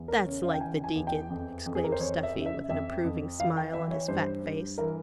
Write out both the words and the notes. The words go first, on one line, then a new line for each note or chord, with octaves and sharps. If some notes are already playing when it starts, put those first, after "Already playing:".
'That's like the Deacon!' exclaimed Stuffy, with an approving smile on his fat face.
Already playing: E2
A#4
C#3 C#5
F5
G5
E3 G#5
G#5
E2
G5
F2
F2
G#4
A#4
C5
F2 C#5
E5
C#3
E5
F2 E5
F2
E3 F5
G5
E3 E5
C#5
G2 C5
G2
E3 A#4